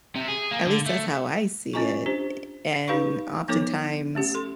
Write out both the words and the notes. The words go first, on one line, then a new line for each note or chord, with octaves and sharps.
At least that's how I see it, a and oftentimes
C3
G#4
A#3
D3
A3
C#4 F4 D#5 G#5 A#5 C#6
D4 G4 C5
D#4 G4 B4 F5 B5 C#6
F3 B3 D#4 A4 C#5 D6
A3 C#4 G4 F#5
A4 C6